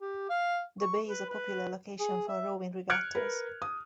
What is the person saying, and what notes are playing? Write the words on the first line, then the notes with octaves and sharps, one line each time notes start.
The bay is a popular location for rowing regattas.
G4
F5
C#6
B4
B4
G#4
E5
F6 F#6 G#6 C#7 D7
A#4 B4
D#6